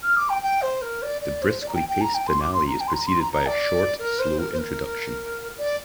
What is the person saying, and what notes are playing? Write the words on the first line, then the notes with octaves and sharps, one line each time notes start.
The briskly-paced finale is preceded by a short slow introduction.
F6
D6
G5
G5
C5
A#4
D5
D5
C5
D5
A#5
G5
G5
A#5
G5
C6
D6
C6
A#5
G5
C6
A#5
C6
A#5
A#5
D5
A#4
C5
A#4
C5
A#4
D5